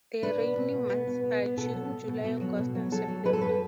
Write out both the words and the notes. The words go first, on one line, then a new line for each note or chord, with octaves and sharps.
The rainy months are June, July, August and September.
D4 B4
B2
B2
B2
B3
B2
B3
B3
B2 A4
F#3
B2
B2
B2
F#3
B2
F#3
F#3 A4
F#3
F#3 B4
A4
F#2 B4